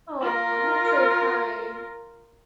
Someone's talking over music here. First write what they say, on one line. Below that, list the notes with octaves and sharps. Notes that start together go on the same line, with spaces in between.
Aw, that's so kind.
F4 A#4